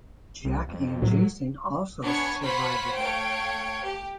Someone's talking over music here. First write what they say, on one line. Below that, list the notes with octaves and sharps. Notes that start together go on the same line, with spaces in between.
Jack and Jason also survive it.
C2
F2
A2 F#3
B3 D4 C#5 G#5 C#6 C#7
F4 C5 C#5 F#5 B5 B6
A3 C#5 F5 G5 D7
G4